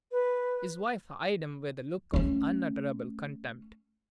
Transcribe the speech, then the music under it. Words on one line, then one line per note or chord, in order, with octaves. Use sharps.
His wife eyed him with a look of unutterable contempt.
B4
A3 C#4